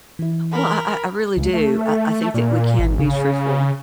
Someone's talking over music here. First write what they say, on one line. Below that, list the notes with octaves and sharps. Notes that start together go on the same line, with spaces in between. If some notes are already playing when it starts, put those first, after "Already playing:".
Well, I I I really do. I I think that we can be truthful,
E3 E4
A#4 B5
C#2
A3
A#2
G#1
C#3